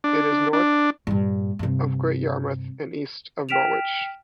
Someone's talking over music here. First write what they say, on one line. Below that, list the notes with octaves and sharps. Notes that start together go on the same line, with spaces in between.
It is north of Great Yarmouth and east of Norwich.
D4
D4
G2 A#2
G2 C3
G5 F6 B6 D7 E7 F7